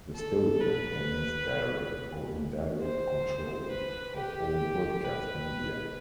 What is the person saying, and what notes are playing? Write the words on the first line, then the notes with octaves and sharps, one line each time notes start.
The state maintains direct or indirect control of all broadcast media.
A4
B4
C5
B4
G4
B4